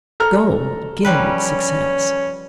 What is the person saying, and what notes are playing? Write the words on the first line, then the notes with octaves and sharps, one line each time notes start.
Gold gilds success.
A4 A#5 F6
F3 G3 C#4 B4